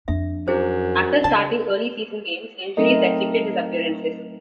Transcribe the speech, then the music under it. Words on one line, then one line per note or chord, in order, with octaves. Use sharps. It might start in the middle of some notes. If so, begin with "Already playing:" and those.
After starting early season games, injuries restricted his appearances.
F2 D4 E5
F#2 E4 G#4 C5
C#3 A5
F#3 A3 C4 D#4 A#4 D#5